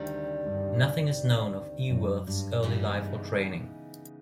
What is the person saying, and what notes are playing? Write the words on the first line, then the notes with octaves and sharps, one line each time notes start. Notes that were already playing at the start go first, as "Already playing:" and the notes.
Nothing is known of Eworth's early life or training.
Already playing: D2 C3 D#3 G3
G2
F#2
G2
G2 C#3 E3 G#3 B3 D#4